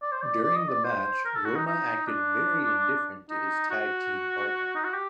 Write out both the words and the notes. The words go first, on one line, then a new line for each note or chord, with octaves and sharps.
During the match, Roma acted very indifferent to his tag team partner.
D5
C5
D5
D5
D#5
D5
C5
A#4
A4
F#4
D#4
D#4
D4
D#4
F#4
D#4
F#4
G4